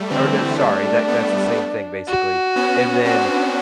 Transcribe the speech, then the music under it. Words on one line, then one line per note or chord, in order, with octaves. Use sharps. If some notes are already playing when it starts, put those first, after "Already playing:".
Oh, sorry, that that's the same thing, basically. And then,
Already playing: G3 A3
D3 E3 C4
G3 A3 D4
A3 B3
F#4
B3 C#4
C4 D4 F#4